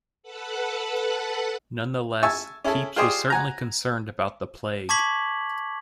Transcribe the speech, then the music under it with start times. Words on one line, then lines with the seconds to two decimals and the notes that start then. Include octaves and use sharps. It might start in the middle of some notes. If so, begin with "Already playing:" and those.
Nonetheless, Pepys was certainly concerned about the plague.
0.23 A4 B4 F#5 A5 B5
2.23 E5 G#5 A5 C#6 E6
2.64 C#4 E4 G#4 A4
2.96 F4 G4 G#4 C5 D5 D#5
3.30 F#5 G#5 A#5
4.89 A5 C#6 D6 G#6 B6 F#7